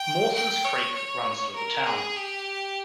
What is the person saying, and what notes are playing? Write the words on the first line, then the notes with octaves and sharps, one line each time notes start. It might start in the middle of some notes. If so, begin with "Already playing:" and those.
Morses Creek runs through the town.
Already playing: G5
G5
C#5
C#5
A#4
G#4
G4